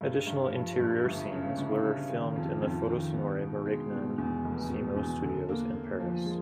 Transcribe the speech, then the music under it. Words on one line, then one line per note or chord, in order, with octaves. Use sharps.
Additional interior scenes were filmed in the Photosonore-Marignan-Simo studios in Paris.
G2
G2
F3
G2
G1
C#3
G1
C#3
D#3
F2
F2
D#3
B3
B2
G#3
B2
E2
F1
B2
E2
D3
A#3
A#3
F3
G#3